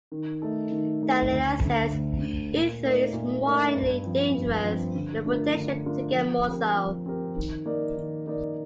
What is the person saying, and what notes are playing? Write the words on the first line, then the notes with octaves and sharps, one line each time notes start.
Daniela says: Esther is mildly dangerous with the potential to get more so.
D#3
A3 D#4 A4
D#3
A3 D#4 A4
D2
D3 A3
D2
D3 A3
A#2
A3 D#4 A#4 D5
A#2
A3 D#4 A#4 D5
G2
F3 C4
G2
F3
C4
D3
A3 D4 F4 A#4
D3
A3 D4 F4 A#4
F3
C4 G4 A#4
F3
C4 G4 A#4
D#3
A#3 D#4 A#4 D5
D#3
A#3 D#4 A#4 D5